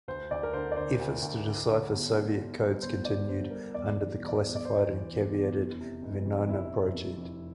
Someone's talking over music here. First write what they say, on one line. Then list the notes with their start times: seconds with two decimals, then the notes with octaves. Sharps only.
Efforts to decipher Soviet codes continued under the classified and caveated Venona project.
0.08 D2 C5
0.31 D2 D5
0.43 A#4
0.53 D3 C5
0.72 D5
0.76 D3 C5
0.99 D2
1.22 D2
1.45 D3
1.68 D3
1.92 G1
2.14 D3
2.37 G1
2.60 G2
2.82 G1 C5
3.05 D3 D5
3.28 G1 C5
3.51 G2 A#4
3.74 E1 D5
3.96 E3 D5
4.19 E1
4.29 D5
4.42 E2
4.56 D5
4.65 E1 C5
4.89 E3
5.11 E1
5.34 E2
5.58 F1
5.81 C3
6.02 F1
6.26 F2
6.48 F1 E4
6.71 C3
6.94 F1
7.17 F2